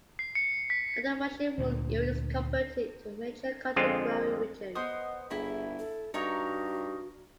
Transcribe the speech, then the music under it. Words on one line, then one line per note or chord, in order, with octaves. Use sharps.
Under Russian rule, it was converted into a major cotton-growing region.
C7
C#7
B6
D2 A#2
F2 D3 G#3 C4 F4
B3 C5 D#5 D#6
G1 E4 G#4 B5
A4
G2 D#4 F#4 A#4 C#5